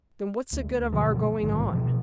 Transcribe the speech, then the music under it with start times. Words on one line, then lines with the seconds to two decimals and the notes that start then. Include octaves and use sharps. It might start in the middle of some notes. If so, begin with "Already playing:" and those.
"Then what's the good of our going on?"
0.52 D2
0.92 B2 D3 F3
1.43 A#1 G#2 D3 D#3
1.72 B2 F3